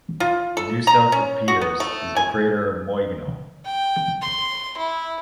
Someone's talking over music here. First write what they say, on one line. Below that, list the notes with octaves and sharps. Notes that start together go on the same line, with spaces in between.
Due south of Peters is the crater Moigno.
F4
A4
A#5
C#4
F#4
B3
A3
G#5
G5
C6
E4